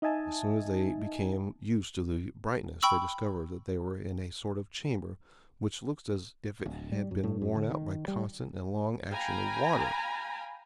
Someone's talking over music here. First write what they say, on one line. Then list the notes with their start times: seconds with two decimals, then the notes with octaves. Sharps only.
As soon as they became used to the brightness they discovered that they were in a sort of chamber which looked as if it had been worn out by constant and long action of water.
0.02 D#4 D#5 E5 G#5 A5
2.82 G5 B5 C#6 E6 F#7
6.66 D1
6.92 G3
7.11 F#2
7.24 A2
7.42 F#2
7.55 D3
7.71 D#3
8.08 G3
9.10 F5 G5 G#5 A#5 B5